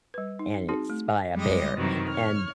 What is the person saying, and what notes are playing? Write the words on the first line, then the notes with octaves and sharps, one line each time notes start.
and it's by, uh, Behr, and
G3 B4
D#4
C4 D#4 F#4 G#4
A3
G3 G#3 G4 D#5
F#2 C3 D#3 E3 F#3
C#5 F6